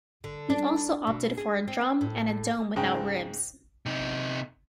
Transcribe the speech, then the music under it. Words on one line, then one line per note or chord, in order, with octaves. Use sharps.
He also opted for a drum and a dome without ribs.
D3
D4
B2
G#4
C4
A2
G#2 C#3 G5
C3 D#4